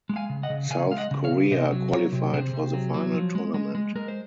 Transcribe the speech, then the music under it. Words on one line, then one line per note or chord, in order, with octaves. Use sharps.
South Korea qualified for the final tournament.
G#3
F5 G#5
C#3
D#5 F#5
C#3
C#3 F5 G#5
G#3 F5
D#5 F#5
C#3
C#5 F5
C#3
C3 C5 D#5
F#3
F#3 A#4 C#5
C3
C3 G#4 C5
C3
F#3
F#3
F3
G#3
G#3
G#3
G#3 A#4
C5